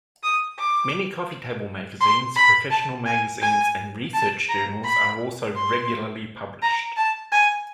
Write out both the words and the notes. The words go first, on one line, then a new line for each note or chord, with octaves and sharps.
Many coffee table magazines, professional magazines and research journals are also regularly published.
D#6
D6
C6
B5
A5
G#5
G#5
A5
A#5
B5
C6
A#5
A5
G#5